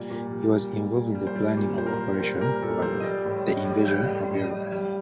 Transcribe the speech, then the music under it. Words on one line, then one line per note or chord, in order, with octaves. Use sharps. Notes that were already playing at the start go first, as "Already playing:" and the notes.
He was involved in the planning of "Operation Overlord", the invasion of Europe.
Already playing: A#2 G3 D5
A#2
G3
G3
A#2
A#2
G3
C5
G3 D5
A#2
A#2 C5
A#4
C5
G3
A#4
G3 C5
A#2 A#4
A#2 A4
G3 C5
D#5
G3 D5
A2
A2 D#5
G3
G3
A2
A2
G3
G3